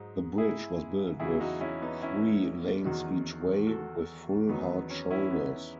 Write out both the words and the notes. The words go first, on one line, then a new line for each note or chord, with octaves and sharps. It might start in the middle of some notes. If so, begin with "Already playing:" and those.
The bridge was built with three lanes each way, with full hard shoulders.
Already playing: G#2 F#3 D#4
E4 G#4
E2 C#3 F#3 E4 G#4
D#4 F#4
C#4 E4
B3 D#4
C#4 E4
E2 D#3 F#3 D#4 F#4
F#4 A4
E2 D#3 F#3 B3 D#4
B3
C#4
C#4 E4
B3 D#4